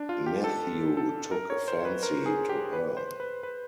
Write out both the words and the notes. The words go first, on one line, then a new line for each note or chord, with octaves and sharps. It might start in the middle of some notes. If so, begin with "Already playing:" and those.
Matthew took a fancy to her.
Already playing: D4
F4
G4
A4
A4
A#4
C#5
C5
B4
A#4
G#4
G4
B4
C5
B4
B4